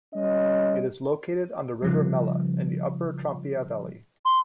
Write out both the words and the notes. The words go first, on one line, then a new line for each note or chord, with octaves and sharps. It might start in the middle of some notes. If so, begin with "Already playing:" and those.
It is located on the river Mella, in the upper Trompia valley.
G3 C#4 D#5
C#3 F3 G3
C6